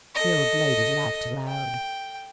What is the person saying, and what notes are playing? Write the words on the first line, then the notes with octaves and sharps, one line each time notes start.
The old lady laughed aloud.
A4 D#5
G5